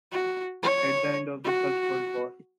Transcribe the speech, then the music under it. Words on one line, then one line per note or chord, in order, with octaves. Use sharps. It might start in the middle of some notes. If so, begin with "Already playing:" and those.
At the end of the First World War.
F#4
C#5
F#4